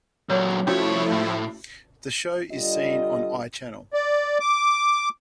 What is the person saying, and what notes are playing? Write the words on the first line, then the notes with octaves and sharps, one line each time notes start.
The show is seen on iChannel.
A#2 F#3 A#4 C#5
C2 F3 A3 C#4 E4 F#4 C#5 C#6
A2
D3 G3 F4 D#5
D5
D6